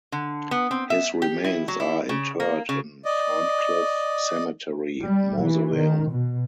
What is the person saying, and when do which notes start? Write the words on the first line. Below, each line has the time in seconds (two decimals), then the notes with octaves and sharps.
His remains are interred in Ferncliff Cemetery Mausoleum.
0.12 D3
0.51 B3
0.71 C4
0.90 E5
1.22 G4
1.44 E4
1.68 F#3
1.80 E4
2.09 C#3
2.40 A#3
2.69 C#3
3.05 D5 D#5
5.05 G3
5.40 E3
5.78 D#3
6.11 B2